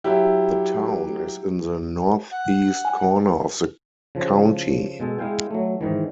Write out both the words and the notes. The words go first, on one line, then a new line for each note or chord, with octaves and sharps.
The town is in the northeast corner of the county.
F#3 E4 G4
F#5
G#5
C#3 F3
B2 G#3 A4
G#3 E4 F5 G5 G#5
F#3 A3
G#2 D#3 E3